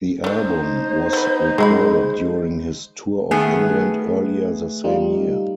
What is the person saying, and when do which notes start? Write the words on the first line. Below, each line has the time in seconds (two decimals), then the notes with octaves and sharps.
The album was recorded during his tour of England earlier the same year.
0.24 A3 D4 D#4 C5
1.13 B3 B4
1.58 F#3 G#3 G4 B5
3.31 D#3 A3 B3 G#4
4.84 G3 D#4 F4